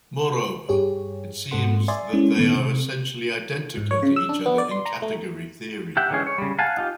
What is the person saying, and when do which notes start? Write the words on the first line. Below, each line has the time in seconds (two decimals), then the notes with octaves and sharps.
Moreover, it seems that they are essentially identical to each other in category theory.
0.69 G2 G4 G#4 C#5
1.51 G#2 C4 A4 F#5 C6 C#7
1.88 D5 E5 G#5 C6 D#6 A6
2.13 G#3 C4 C#4 E4
2.37 A#2 D#3 A3 B3
2.53 C3 C4
3.77 G#2
3.91 C#5
4.03 C#3
4.16 E6
4.29 D4
4.46 B3
4.58 D5
4.71 C6
4.85 A#5
5.02 A3
5.97 G4 E5 F#5 G5
6.10 D3 E3 G#3 C#4 G#4
6.27 C#5
6.38 C#3 G3
6.59 F5 F#5 G#5 A5
6.77 D#4 F4 G4